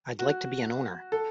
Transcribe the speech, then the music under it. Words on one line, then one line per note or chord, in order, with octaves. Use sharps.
I'd like to be an owner.
F#4
A4